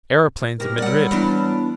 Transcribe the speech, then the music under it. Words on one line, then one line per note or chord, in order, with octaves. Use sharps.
Aeroplanes at Madrid!
B2 G4 A#4
F#3 G3 D5 F#5
E3 B3 D4